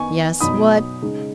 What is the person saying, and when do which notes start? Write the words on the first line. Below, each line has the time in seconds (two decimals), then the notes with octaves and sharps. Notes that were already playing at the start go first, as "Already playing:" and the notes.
"Yes, what?"
Already playing: D#3 B3 D#4 G#5 C#6
0.40 B2 F#3 D#4 B5 D#6
1.02 C#3 G#3 D#4